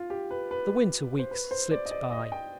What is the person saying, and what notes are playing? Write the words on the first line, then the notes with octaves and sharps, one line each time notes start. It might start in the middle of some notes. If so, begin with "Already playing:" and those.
The winter weeks slipped by.
Already playing: F4
G4
B4
B4
C5
B4
C5
D5
D#5
D5
D#5
G5